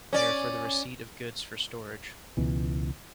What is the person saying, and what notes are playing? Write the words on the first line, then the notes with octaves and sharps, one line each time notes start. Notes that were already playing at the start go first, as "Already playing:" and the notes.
They are for the receipt of goods for storage.
C#4 D5
C#2 B2 E3